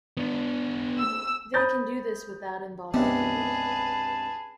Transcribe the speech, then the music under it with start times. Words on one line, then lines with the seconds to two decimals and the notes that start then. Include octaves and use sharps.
They can do this without involving food.
0.17 B3 D4
0.98 E6
1.54 C5 B5 D#6 G6 A6 A#6
2.94 C#2 G2 C3 B3 G#4 B4 A5